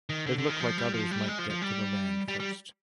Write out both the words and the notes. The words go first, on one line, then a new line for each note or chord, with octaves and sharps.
It looked like others might get to the land first.
D#3
D3
D3
D#3
F3
G3
F3
G3
G#3
F3
F3
G3
G3
G3